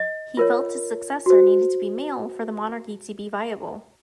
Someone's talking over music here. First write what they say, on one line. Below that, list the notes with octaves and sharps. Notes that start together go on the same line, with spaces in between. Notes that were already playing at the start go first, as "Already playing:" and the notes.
He felt his successor needed to be male for the monarchy to be viable.
Already playing: D#5
F4 A#4 C#5
F#4 C5